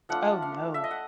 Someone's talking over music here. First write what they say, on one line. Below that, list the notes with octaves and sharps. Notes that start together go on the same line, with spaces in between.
Oh, no.
F3 A3 D4 F4 F#5
F5
E5
D#5
F#5